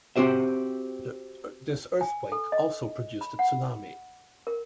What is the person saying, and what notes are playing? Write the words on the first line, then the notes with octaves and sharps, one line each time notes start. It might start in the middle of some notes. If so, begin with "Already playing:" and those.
This earthquake also produced a tsunami.
C4 F#4 G4 C5 E5
G#5
A4
D#5
B5
F#5
A#4